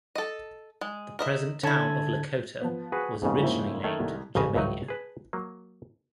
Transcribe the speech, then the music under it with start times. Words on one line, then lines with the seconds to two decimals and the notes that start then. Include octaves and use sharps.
The present town of Lakota was originally named Germania.
0.15 A4 D#5
0.81 G#3
1.19 A#4 D#5 E5
1.63 D3 C#4 E4 A5 G#6
2.61 F3 B3
2.92 F#4 G#4 B4
3.22 F2 G#2 C#3 G3 B3 G#4
3.43 A#3 E4 C5
3.84 D#3 A3 G#6
4.00 C2
4.35 A1 F2 C#3 D#5
4.55 G#1 C#2 A2 F#3 D#4 D#5
4.88 G#4 B4 A5
5.33 F#3 A#3